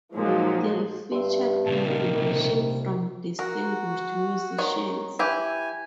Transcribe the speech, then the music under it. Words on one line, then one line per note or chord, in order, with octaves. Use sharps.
They featured contributions from distinguished musicians.
A#2 F3 F#3 G#3 D#4
G2 E5 C6
A#2 C#3 A5
D#3 G3 F5
C2
F#4 A#4
D#3 C#5
E3 G4 G#5